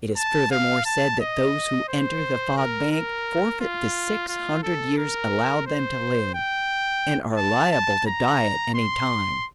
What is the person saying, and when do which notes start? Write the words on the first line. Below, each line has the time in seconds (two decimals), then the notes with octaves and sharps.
It is furthermore said that those who enter the Fog Bank forfeit the six hundred years allowed them to live, and are liable to die at any time.
0.17 A5
0.51 F5
0.86 A5
1.20 D#5
1.88 C5
2.57 A#4
2.92 A#4
3.60 F4
4.29 F4
4.63 A4
4.98 A#4
5.66 C5
6.34 G5
7.37 A5
7.72 A5
8.07 A#5
8.75 C6